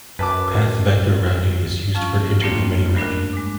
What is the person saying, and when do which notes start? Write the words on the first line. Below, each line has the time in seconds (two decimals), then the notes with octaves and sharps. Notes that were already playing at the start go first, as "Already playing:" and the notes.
Path vector routing is used for inter-domain routing.
0.19 F#2 B4 A5 D6
1.95 F2 F3 C#4 F4 F5 C#6
2.41 G3 A3 A#3 C4 D4 F4
2.96 G2 A3 D4 A#4 F#6
3.33 G#3 D6